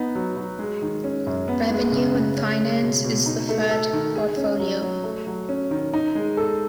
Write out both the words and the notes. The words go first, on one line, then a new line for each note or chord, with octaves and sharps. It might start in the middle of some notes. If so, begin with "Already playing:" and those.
Revenue and Finance is the third portfolio.
Already playing: B3 D#4
F#3
F#3
G#3
D#3
C#4
F#2
B3
G#3
C#3
C#3
C#4
G#3
B2
B2
D#4
A3
A4
D#3
G#4
C#4
F#3
F#3
A3
F#3
C#4
D#3
D#4
G#3
A4